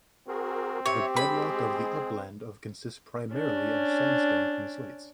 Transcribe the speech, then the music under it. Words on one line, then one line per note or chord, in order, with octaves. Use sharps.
The bedrock of the Upland of consists primarily of sandstones and slates.
C4 F#4 G#4 A#4
G4 C#5 E5
G#3 G#4 B5
C#4 D4